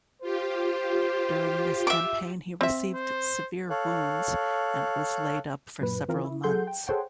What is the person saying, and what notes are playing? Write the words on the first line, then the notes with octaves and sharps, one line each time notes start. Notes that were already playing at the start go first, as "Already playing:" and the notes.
During this campaign he received severe wounds and was laid up for several months.
F4 G4 C5
E5 D6
C4 E5
C5
A4 C#5 F5 F#6
F#2 A#2 B4
E3 C4 F4 A#4
E4
F#3 G#4 A4 F#5 C6 G6
G5
G#4 A4 C5 C#5 F#5 G5